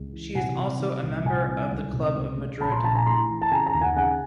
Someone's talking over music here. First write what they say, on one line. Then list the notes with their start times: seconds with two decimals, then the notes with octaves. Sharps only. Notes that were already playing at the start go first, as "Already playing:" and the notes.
She is also a member of the Club of Madrid.
Already playing: C#2
0.12 E3
0.35 C3 F#5 G#5
0.58 C3
0.80 D#3
1.03 C2
1.25 C3 F#5 G#5
1.48 C2
1.71 C#2
1.93 C3
2.16 C#2
2.38 C#2
2.61 A#1 A5 B5
2.72 A#5 C6
2.83 A#1 A5 B5
2.95 G#5 A#5
3.06 A2 A#5 C6
3.29 E3
3.42 A5
3.51 C#3 G#5 A#5
3.67 G#5 A#5
3.74 D#2
3.81 F#5 G#5
3.97 C#3 F#5 G#5